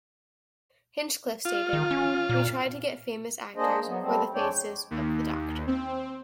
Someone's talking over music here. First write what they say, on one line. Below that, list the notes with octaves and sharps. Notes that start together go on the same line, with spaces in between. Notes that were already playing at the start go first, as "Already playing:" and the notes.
Hinchcliffe stated, We tried to get famous actors for the faces of the Doctor.
F4
D#3
C#4
A#2
A#3 D4 G#4 C5 D#5
F#3 B3
G3 A3 C4
F2 G#3 D4 C#5 D5 G5
D#2
C4